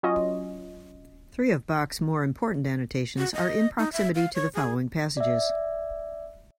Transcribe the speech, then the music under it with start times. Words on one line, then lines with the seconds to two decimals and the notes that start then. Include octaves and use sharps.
Three of Bach's more important annotations are in proximity to the following passages.
0.03 F#3 C#4 F4 D#5
3.18 F#4
3.34 D#5
3.79 D#4
3.93 E5
4.15 F5
4.35 C#5
4.55 G#4
5.17 D5 E5